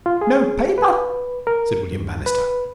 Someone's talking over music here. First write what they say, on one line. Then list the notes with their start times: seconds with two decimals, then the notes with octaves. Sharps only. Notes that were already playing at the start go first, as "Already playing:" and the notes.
"No paper," said William Bannister.
0.06 F4
0.21 G#4
0.78 B4
1.47 A#4
1.92 G2
2.26 B4